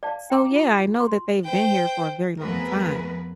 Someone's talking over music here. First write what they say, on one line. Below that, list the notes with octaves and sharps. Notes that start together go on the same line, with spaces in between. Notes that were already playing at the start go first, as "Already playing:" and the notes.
So, yeah, I know that they've been here for a very long time,
D5 F5 A5
G5 A#5 D6
E4 F4
C6
C5 G5
F2 A3 B3 G#4 A#4 B4